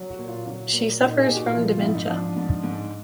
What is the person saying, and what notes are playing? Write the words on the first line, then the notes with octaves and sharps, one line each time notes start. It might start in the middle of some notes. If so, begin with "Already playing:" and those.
She suffers from dementia.
Already playing: F#3
F#4
A#2
F4
F#3
A#2
A#2 D#4
G#4
A#2 G4
F#4
F4
F3 E4
F4
G#2 E4
D#4
F3 D4
G#2
G#2